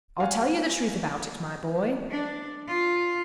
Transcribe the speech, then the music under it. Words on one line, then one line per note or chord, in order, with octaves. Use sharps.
I'll tell you the truth about it, my boy.
F#4 F5 F#5 G#5
D4
F4